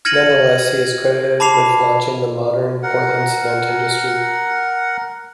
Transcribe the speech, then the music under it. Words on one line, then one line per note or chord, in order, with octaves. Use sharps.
Nonetheless, he is credited with launching the "modern" Portland cement industry.
F6 G#6 A#6 C#7 D#7 F#7
A5 B5 D6 C7 F7
A#4 F#5